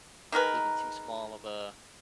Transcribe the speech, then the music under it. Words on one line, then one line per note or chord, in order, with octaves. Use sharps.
you live in too small of a
D#3 G#3 A#4 B4